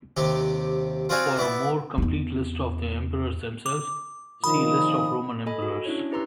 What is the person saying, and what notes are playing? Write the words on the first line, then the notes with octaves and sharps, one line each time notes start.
For a more complete list of the Emperors themselves, see List of Roman Emperors.
D#2 C3 G4
C4 F4 F#4 D5 F5 G#5
B3 E4 D5
E2 D#4
D6
A#2 D#3 F3 B5 D#6
A4 D#5 G#5 B5
F#4
C#4 D4 E4 C#5
E4 G4 B4 A#5 C6 E6